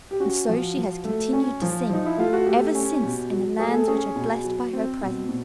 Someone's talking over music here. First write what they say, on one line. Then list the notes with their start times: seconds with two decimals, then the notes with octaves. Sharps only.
And so she has continued to sing ever since in the lands which are blessed by her presence.
0.11 G4
0.20 C#4 F#4
0.48 F3
0.77 F3
1.04 A3
1.33 C#4
1.62 F3
1.89 F3 D#4
2.06 E4
2.18 A3 F4
2.33 F#4
2.46 A3 G4
2.75 C#4
3.02 B2
3.32 F#3
3.59 A3 G#4
3.74 A4
3.88 C#4 G#4
4.16 B2
4.44 F#3
4.73 C4
5.01 B2
5.29 B2